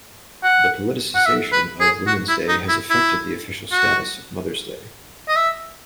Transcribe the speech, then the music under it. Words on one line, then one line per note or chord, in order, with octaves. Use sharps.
The politicization of Women's Day has affected the official status of Mother's Day.
F#5
F#5
E5
B4
G#4
F#4
E4
D#4
E4
E4
F#4
D#5
E5